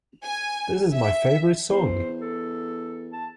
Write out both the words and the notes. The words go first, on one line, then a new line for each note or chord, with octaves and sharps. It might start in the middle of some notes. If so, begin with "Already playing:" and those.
This is my favorite song!
G#5
E5
E2 C5
A4
A5